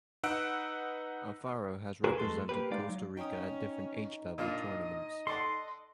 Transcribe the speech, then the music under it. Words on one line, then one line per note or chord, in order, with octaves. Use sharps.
Alfaro has represented Costa Rica at different age level tournaments.
D#4 B4 F#5 E6 F#6 D7
F#4 G#4 A#4 B4 G#5
F2 G#3 A3 A4 C6
A#3 G4 B4
G#3 D#4 D5 F5
F#3
C#4 D#4 G5 D#6
A#2 D4 F4 D#5
A4 D5 F#5 C6